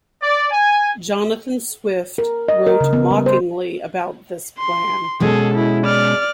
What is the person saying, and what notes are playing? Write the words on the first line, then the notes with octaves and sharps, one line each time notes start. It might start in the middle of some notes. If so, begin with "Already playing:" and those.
Jonathan Swift wrote mockingly about this plan.
D5
G#5
A#4
D#5
A#4
C#3
B3
G3
C5
C6
B2 G#3 C#4 G#4 A4
E4
D5 F6